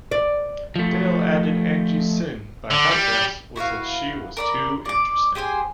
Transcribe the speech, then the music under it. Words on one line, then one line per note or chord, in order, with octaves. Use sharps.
Dale added Angie's sin, by contrast, was that she was too interesting.
D5
F3 A3
D3
G3
E4 F#4 B4 F5
A#4 D5 B5
D5 D6
G4 G#4 C5 G#5